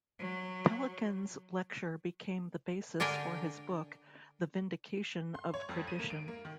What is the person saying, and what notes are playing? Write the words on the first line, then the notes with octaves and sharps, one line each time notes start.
Pelikan's lecture became the basis for his book The Vindication of Tradition.
F#3
D3 D4 A#4 G5 G#5
C6
C#5
F2
D#7
A#3
D7
A#3
D#3